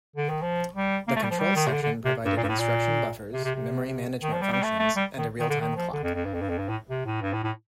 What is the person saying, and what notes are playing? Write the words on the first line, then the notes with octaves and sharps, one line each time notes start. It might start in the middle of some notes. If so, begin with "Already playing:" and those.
The control section provided instruction buffers, memory management functions, and a real-time clock.
D3
D#3
F3
G3
A#3
A3
G3
F3
G3
D#3
C3
D3
D3
C3
G2
A#2
G2
A2
A#2
C3
C3
C3
D#3
F3
G3
G3
A3
A3
G3
D#3
D#3
D3
D#3
F3
D3
F2
F2
G2
F2
G2
F2
G2
A2
C3
A2
G2
A2
A2